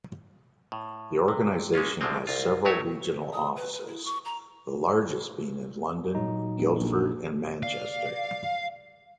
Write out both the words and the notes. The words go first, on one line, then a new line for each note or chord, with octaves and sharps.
The organisation has several regional offices, the largest being in London, Guildford and Manchester.
A2
C3
G#3 A#3 C#4 F4
D2 D3 F3 F#3 G#3 C4
C2 F4
F#3 A3 D#4 E4 C#5
D#6
B4
B4
E4
C#6
A#5
A#2 F#3 D#4
E1
A#1
D5 F5